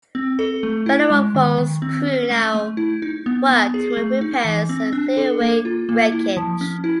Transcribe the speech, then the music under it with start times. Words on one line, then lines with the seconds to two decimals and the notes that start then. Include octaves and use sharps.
"Bellerophon"s crew now worked to make repairs and clear away wreckage.
0.15 C4
0.39 A4
0.63 A3
0.86 E4
1.10 G#3
1.35 D#3
1.58 D#3
1.82 C4
2.07 C#4
2.31 A3
2.54 A3
2.77 E4
3.02 D#4
3.26 B3
3.50 B3
3.74 G#4
3.97 A3
4.21 D#4
4.45 E3
4.69 C4
4.93 D4
5.17 A4
5.40 A#3
5.65 F4
5.89 A#3
6.12 E4
6.37 F3
6.61 C#4
6.84 E4